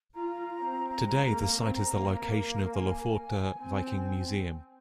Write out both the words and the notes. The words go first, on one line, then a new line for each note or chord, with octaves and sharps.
Today the site is the location of the Lofotr Viking Museum.
F4 A#5
C4
G#3
A#3
C4
A#3
G#5
C4